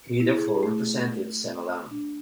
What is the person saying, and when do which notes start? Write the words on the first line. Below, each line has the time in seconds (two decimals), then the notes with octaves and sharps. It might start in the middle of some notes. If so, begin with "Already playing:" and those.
He therefore resented Sima Lun.
0.20 E4
0.34 G#4
0.48 G#4
0.63 A3
1.91 D4